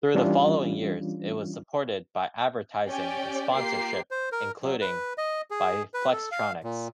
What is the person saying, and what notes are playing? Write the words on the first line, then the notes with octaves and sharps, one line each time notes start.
Through the following years it was supported by advertising and sponsorship, including by Flextronics.
E3 G3 C#4 D4 F4
C#4 G4 D5 G5
A#3 F4 G4 C7
C5
A#4
F#3
B4
D#5
G#4
B4
A4
F5
A#2